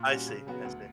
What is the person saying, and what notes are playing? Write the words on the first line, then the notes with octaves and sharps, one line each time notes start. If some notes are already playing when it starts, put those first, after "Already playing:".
I see, I see.
Already playing: A#2
G3 C#4 F#4
C#3
F#3 B3 F#4
D2